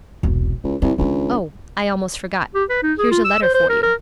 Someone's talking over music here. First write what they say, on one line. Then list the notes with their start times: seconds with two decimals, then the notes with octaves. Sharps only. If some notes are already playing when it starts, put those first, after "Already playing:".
'Oh, I almost forgot--here's a letter for you.'
0.23 E1 C2
0.64 C#2 E4
0.82 C2 E4
0.98 C#2 D#3 D4
2.55 G4
2.70 B4
2.83 D#4
2.99 G#4
3.11 F4
3.25 E6
3.42 C5
3.54 C5
3.70 A#4
3.83 A#4